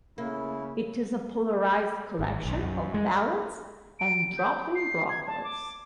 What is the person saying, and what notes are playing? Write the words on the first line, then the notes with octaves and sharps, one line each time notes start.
It is a polarized collection of ballads and throbbing rockers.
C#3 A#3 E4
G#1
B1
F#2
G#3
D7
G6
C7
G#6
A5
D6